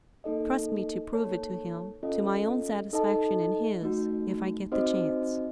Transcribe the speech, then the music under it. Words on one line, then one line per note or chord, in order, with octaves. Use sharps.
Trust me to prove it to him,--to my own satisfaction and his,--if I get the chance.
A#3 D#4 A4 D#5
A#3 D#4 A4 C#5 A5
C#4 F4 A4 D#5
D#4 A4 D#5 A5
A3 D#4 F#4
C4 D#4 F#4 C5 D#5